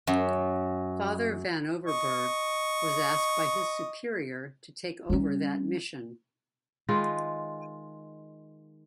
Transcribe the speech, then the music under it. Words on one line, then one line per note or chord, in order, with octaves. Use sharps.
Father Vanoverbergh was asked by his superior to take over that mission.
F#2
D#5 C#6
G3 C#4
D#3 G#3 F4 B4